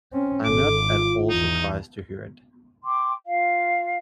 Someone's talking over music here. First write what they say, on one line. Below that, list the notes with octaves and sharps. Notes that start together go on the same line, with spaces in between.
I am not at all surprised to hear it.
C4 C#4
G#1 A4 D6
F4
E2 D#4
G5 C6 D6
F4 F5